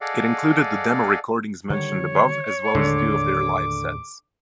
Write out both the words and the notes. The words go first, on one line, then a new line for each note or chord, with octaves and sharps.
It included the demo-recordings mentioned above as well as two of their live-sets.
G#4 A4 D5 D#5 F5 F#5
D3 D#3 G3 C#5
D#2 A2 D3 G#3 D6